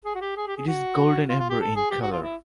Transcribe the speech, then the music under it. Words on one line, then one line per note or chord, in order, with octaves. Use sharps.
It is golden amber in colour.
G#4
F#4
G4
G#4
G4
G#4
F#4
F4
F4
G4
A4
G#4
G4
F#4
F4
E4